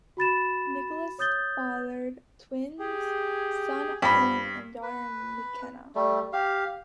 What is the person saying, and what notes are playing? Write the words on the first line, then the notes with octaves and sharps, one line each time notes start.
Nicholls fathered twins, son Flynn and daughter McKenna.
F#4 B5 A6 E7
C#5 D#6 G6 A6 G7
G4 G#4
G2 F3 B5
B4
G3 A3
G4 F5